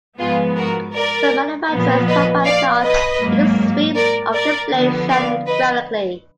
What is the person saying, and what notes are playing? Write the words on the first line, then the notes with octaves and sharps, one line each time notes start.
Some manufacturers provide charts with the sweeps of their blades shown graphically.
G#2 F3 B3 F4 G#4
F#4 A#4
A#4 D5
A#2 F3 B3
B4 D#5
D5 F5
B4 D#5
G#2 F#3 A#3
A#4 D5
A#4 D5
D3 F3 B3
D5 F5
B4 D#5